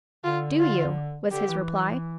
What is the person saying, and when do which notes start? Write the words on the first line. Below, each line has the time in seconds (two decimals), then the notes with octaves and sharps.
"Do you?" was his reply.
0.24 D3 F4
0.60 F4
1.31 D3 G4
1.48 E3